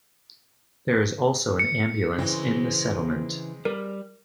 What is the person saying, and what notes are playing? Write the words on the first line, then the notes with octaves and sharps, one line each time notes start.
There is also an ambulance in the settlement.
C#7
C#3 E3 G#3 C4
G3 A#4